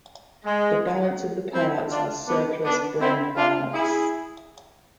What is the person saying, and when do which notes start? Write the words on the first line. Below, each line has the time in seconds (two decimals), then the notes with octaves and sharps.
The balance of the parts are surplus Bren parts.
0.45 G#3
1.54 C4 E4
1.90 D4 F4
2.27 B3 D4
2.64 B3 D4
3.00 C4 E4
3.36 D4 F4
3.73 E4 G#4